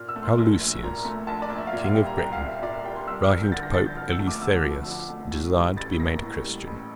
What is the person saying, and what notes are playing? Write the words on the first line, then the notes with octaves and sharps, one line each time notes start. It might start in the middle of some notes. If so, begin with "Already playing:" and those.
How Lucius, king of Britain, writing to Pope Eleutherus, desired to be made a Christian.
Already playing: A#2 F6
E6
A3
C6
A#1
A#1
A#2 A#5
A3
A#1 A5
D5
A#1
E5
F5
A#2 E5
F5
G3 G5
A#5
C2 G5
F5
C2
E5
A#2 D5
E5
G3 G5
C6
C2 E6
F6
C2
G6
D3 A6
A#6
F3 A6
G6
F2 F6
E6
A3
D6
D3 E6
F3
F2
A3
A2
G3
A1 A6
A#3 A#6
A2
G3
A1